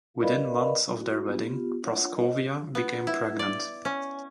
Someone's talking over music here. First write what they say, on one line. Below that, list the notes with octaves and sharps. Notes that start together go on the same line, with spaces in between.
Within months of their wedding Praskovia became pregnant.
A#4 B4 D5 D#5 F5 B5
F#4
B3 F4 G4
D4 F4 C#5 F#5
C5 D#5
B3
E4
D5
C#4